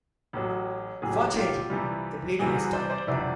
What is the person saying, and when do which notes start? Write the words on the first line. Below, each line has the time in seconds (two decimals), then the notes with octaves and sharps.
Fortunately, the bleeding has stopped.
0.33 A1 A2 F#3
1.02 A1 A2 F#3 G#4
1.13 G4
1.25 F#4
1.36 F4 G4
1.70 C2 C3 E3 G3
2.39 C2 C3 E3 G3 F#4 G#4
2.56 F#4 G#4
2.73 C5 D5
2.90 C5 D5
3.07 G1 F2 C3 E3 D5 E5